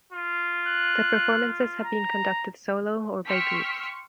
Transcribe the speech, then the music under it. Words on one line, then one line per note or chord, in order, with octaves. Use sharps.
The performances have been conducted solo or by groups.
F4
F#6
A#5
G5 C6 C#6 E6 F6 B6